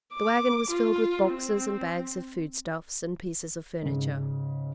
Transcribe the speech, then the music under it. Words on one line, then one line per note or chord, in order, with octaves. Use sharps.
The wagon was filled with boxes and bags of food stuffs and pieces of furniture.
D6
F4
C4
G#2 C#3